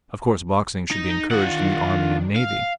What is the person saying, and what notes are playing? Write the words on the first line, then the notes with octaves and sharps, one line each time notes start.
Of course boxing should be encouraged in the army and navy.
D#4 A#5
D#3 D4 F4 F#5
F5